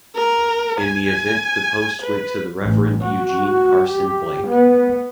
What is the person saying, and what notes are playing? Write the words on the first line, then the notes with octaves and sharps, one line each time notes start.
In the event the post went to the Reverend Eugene Carson Blake.
A#4
G#5
B4
A1
F#4
G4
B3